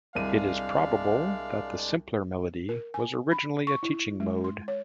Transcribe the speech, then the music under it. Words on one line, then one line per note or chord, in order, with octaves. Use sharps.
It is probable that the simpler melody was originally a teaching mode.
C2 G#3 D4 D5 F5 D#7
A#4
G#5
B5
C#6
E4
G#3
C6
C#5